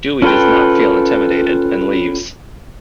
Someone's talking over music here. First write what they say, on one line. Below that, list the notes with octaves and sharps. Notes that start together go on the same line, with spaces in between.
Dewey does not feel intimidated and leaves.
C#4 F4 A4 B4 G5